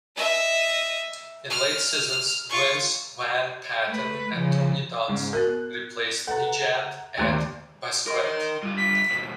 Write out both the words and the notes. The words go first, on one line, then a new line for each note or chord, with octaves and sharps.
In later seasons, Vince Van Patten and Tony Dunst replaced Nejad and Busquet.
D#5 E5
F6
F4 C#6
A3 B4
C#3 F3
G#2 C#3
B3 F#4 A#4 F#6
A4 B4 F#5 A#5
G1 D#2 D#3 A3 D5 G5
A#4 D#5
C6
G2 F4
B6
D#2 B2